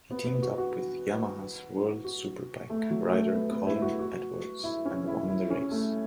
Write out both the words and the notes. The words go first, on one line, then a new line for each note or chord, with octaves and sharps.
He teamed up with Yamaha's World Superbike rider Colin Edwards and won the race.
B3
B3
F#4
F#4
F#4
A3
F#3
A3
B3
B3
E4
F#4
F#4
E4
C#4
E4
E4
C#4
A3